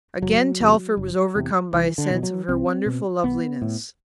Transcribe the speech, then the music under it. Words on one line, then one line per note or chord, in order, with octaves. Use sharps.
Again Telford was overcome by a sense of her wonderful loveliness.
F#1 F#3
E2 C3
F#1
E2 C3
C2 E3
D3
B2 E3
F#3
C2 C4
B2
B1 B3
A2